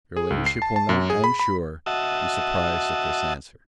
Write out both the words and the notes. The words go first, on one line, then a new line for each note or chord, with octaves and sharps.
Your Ladyship will not, I am sure, be surprised at this answer.
G#4
C#2
C7
A5
A5
F#2
G#4
B5
B5
F#4 D#5 E5 A5